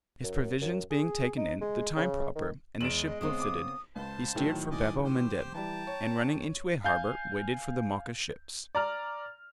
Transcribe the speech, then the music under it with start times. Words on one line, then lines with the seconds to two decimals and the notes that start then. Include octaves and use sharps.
His provisions being taken in, the time proper, and the ship well fitted, he steered for Babel-Mandeb, and running into a harbor, waited for the Mocha ships.
0.24 F#2
0.61 F#2
0.90 G#4
1.37 D#4
1.61 G#3
1.96 C#3
2.35 D#3
2.81 E2 G#3 D7 E7 F#7
3.06 D#5
3.21 C#3 B3 C4 D#6
3.40 D6
3.96 C#2 C5 A5
4.35 A2 D#3 F#3
4.71 D5 D#5 G#5
5.05 G4 C5
5.54 E3 G3 G5 A5 A#5
5.87 C#5
6.84 F5 G#5 G6
8.75 D5 A#5 F6